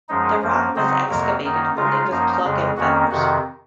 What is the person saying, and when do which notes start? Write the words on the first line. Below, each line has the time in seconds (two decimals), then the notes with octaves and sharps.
The rock was excavated only with plug and feathers.
0.09 F#2 F3 G#3 D#4
0.42 F#2 F3 A#3
0.76 C#3 F#3 C4 D#4 C5
1.09 F2 C3 F#3 A#3 A#4
1.43 F#2 D#3 A#3 D#4
1.76 C#3 G#3 D#4 F4
2.10 F#2 F3 A#3 D#4
2.44 F2 C#3 G#3
2.77 F2 D#3 A#3 C#4 F#4
3.11 F2 C3 D#3 F#4